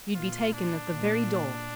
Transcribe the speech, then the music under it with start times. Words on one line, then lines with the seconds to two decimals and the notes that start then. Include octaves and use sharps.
You'd be taken at the very door.
0.14 A#2 F4
0.53 D4
0.90 A#2